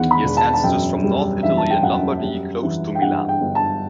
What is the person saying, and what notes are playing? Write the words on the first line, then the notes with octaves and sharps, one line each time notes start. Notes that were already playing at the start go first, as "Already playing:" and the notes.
He has ancestors from North Italy in Lombardy, close to Milan.
Already playing: E2 D#3 F#5
B5
E1
A5
A5
F#2 G5
G3
E3 E5
A5
G5
F#2 F#5
G3
E3
G5
G2 F#5
G5
G1
A5